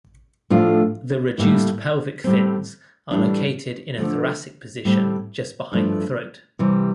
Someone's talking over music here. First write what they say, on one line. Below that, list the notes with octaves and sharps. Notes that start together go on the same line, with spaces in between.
The reduced pelvic fins are located in a thoracic position, just behind the throat.
A2 F3 A3 D4 F4
A2 G3 A#3 E4
A2 G3 C4
A2 E3 G3 D4
D3 F3 A3
A2 G3 C4
G2 F3 A3 E4
C3 E3 G3